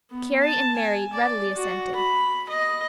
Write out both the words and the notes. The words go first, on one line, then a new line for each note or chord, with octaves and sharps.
Carry and Mary readily assented.
B3
A5
G#5
D5
F#4
B5
D#5